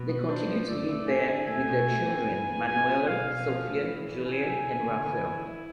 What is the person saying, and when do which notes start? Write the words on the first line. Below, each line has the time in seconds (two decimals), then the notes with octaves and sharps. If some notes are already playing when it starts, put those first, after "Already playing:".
They continue to live there with their children, Manoela, Sofia, Julia and Rafael.
Already playing: B2 B4
0.09 B3
0.28 D4 C5
0.48 F3
0.68 A3 D5
0.88 A3
1.08 A2 G#5
1.27 D4
1.47 A3 G#5
1.68 B2
1.88 A3
2.07 C4
2.28 E3
2.47 B3
2.67 G#3 G#5
2.87 F4
3.07 B2 F5
3.27 B2
3.47 F3
3.67 A2
3.87 E3
4.07 E3
4.26 C3 G#5
4.47 C3
4.66 D3
4.86 D3
5.06 E3
5.27 E4
5.46 E4